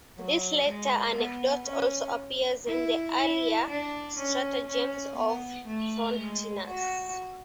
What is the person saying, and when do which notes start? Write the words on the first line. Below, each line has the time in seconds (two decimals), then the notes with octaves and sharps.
This latter anecdote also appears in the earlier "Stratagems" of Frontinus.
0.17 F#3
0.67 G#3
1.17 B3
1.67 C#4
2.66 E4
3.16 E4
3.67 D4
4.17 C#4
4.67 C#4
5.16 B3
5.67 A3
6.17 G#3
6.67 F#4